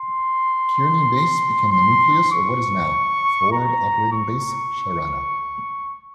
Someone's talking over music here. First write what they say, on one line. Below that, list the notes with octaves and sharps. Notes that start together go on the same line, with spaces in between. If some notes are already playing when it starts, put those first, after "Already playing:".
Kearney Base became the nucleus of what is now Forward Operating Base Sharana.
Already playing: C6
C6
C#6
A#5
C#6